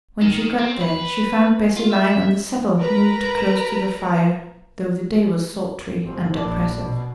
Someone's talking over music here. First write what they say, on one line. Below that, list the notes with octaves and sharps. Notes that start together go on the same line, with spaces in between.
When she got there, she found Bessy lying on the settle, moved close to the fire, though the day was sultry and oppressive.
D#3
C4
B4
F4
E5
A#4 B4 A#5
G1 C4
A#1 D4
B2